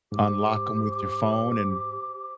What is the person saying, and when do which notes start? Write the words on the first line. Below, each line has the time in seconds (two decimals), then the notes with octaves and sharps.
unlock 'em with your phone, and
0.12 G#2 G4 C5 D6